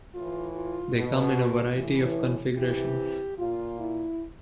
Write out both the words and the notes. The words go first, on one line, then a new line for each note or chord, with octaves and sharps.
They come in a variety of configurations.
A2 E3 F4
F4
B2
A2 E3
C3 E3 G4
A#2 F4
E4